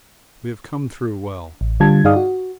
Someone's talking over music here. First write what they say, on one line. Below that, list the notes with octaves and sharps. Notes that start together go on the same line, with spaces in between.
We have come through well.
A1
D3 G3 F4 A5 G#6
G2 D#4 G#4 D5 F5 D#6
F#4